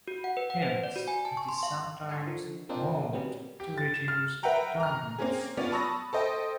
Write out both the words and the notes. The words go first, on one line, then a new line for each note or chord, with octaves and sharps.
Hence, it is sometimes mowed to reduce dominance.
F#4
F#5
B4
F#5
C5
D5
F#4
G#5
A5
C#6
C6
F5
D#4 A4 G#5 A#5 C6 C#6
D3 D#3 F3
F3 A#3 C4 D4 D#4
C3 F#3 G3 A#3 B3 C#4
G4
A6
E7
F6
A#4 B4 E5 F#5 G5 A#5
A#5 F6
A#3 C4 C#4 G#4
B3 C#4 F4 C#5 D5
A5 B5 C#6 D#6 E6 A#6
A4 C5 D#5 G5